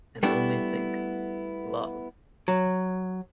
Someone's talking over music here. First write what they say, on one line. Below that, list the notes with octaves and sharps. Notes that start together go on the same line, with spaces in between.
And only think: love!
G3 A3 B3 D4 E4
F#3